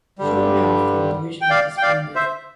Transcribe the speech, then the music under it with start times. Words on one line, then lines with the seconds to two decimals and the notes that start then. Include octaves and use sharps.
Shortly after the division was disbanded.
0.19 G2 D3 G3
1.41 G5
1.50 D5 F5
1.77 G5
1.82 D5 F5
2.15 C5 E5